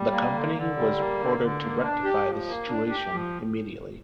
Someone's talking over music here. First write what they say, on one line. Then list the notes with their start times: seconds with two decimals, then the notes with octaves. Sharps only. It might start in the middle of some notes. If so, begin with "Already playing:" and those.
The company was ordered to rectify the situation immediately.
Already playing: G3
0.12 A#3
0.33 D3
0.55 D3
0.76 G3
0.98 A#3
1.19 D3
1.40 D3
1.61 A#3
1.83 D4
2.04 G4
2.25 F3
2.47 A#3
2.69 D4
2.90 G4
3.12 F3